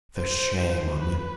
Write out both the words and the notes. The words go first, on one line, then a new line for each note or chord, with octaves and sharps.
For shame on you!
C5
B4